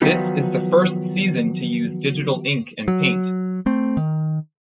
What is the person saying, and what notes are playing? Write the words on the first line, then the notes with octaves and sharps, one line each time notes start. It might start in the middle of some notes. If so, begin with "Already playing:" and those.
This is the first season to use digital ink and paint.
D#3 F3 F#3 B3 D#4 F4
F#3
A3 C4
D#3